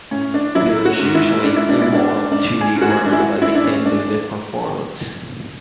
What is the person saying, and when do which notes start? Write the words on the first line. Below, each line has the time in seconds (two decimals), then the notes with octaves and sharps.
There is usually a moral to be learned by the end of the performance.
0.11 A2 C#4
0.34 D4
0.55 F#3 E4
0.85 F#4
0.99 G#2
1.15 E4
1.44 G#2 D4
1.56 E4
1.69 D4
1.82 E4
1.88 G#2
1.94 D4
2.31 G#2 D4
2.61 G#4
2.76 G#2
2.82 F#4
2.90 G#4
3.05 D4
3.12 E4
3.19 G#2 F#4
3.42 E4
3.55 D4
3.64 G#3 C#4
3.85 D4